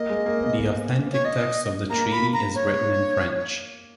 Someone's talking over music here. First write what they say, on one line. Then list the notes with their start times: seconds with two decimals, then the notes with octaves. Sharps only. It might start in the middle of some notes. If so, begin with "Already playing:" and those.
The authentic text of the Treaty is written in French.
Already playing: A#3 D#5
0.09 G#3
0.26 A#3
0.42 B3
1.13 C#5
1.25 D#5
1.90 A#3 A#5
2.12 B5
2.34 A#5
2.55 C#5